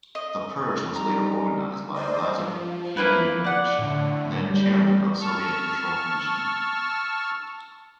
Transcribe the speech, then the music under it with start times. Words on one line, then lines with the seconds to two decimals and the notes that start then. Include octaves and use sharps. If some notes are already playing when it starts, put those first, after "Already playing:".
The purge was organised by Lazar Kaganovich, then Chairman of the Soviet Control Commission.
0.15 D#5
0.96 G3 D#4 A#5
1.94 C5 D5 D#5
2.38 F3
2.97 A#3 E4 B4
3.44 D5 F#5
3.78 A2 D3
4.50 G3
5.21 A5 C#6 E6 F6